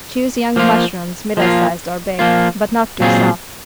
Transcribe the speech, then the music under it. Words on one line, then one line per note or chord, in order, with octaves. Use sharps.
Choose young mushrooms middle sized or big, but not too soft.
F3 A#3 F4
F3 A#3 F4
F3 A#3 F4
A#2 F#3 C4 F4 G#4